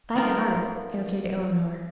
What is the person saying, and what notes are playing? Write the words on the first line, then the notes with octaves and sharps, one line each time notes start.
"By heart," answered Eleanor.
A3 B3 D#4 F4 A#4